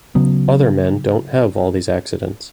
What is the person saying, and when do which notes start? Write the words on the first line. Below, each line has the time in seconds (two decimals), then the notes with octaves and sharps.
Other men don’t have all these accidents.
0.15 C#3 F#3 B3